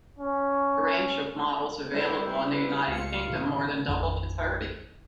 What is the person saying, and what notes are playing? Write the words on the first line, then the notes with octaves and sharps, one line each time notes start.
The range of models available in the United Kingdom more than doubled to thirty.
C#4
G3 E4 B4 C5
B4
C#2 F4 F5 C#7
A2 C3 D#3
A1 F2 D#3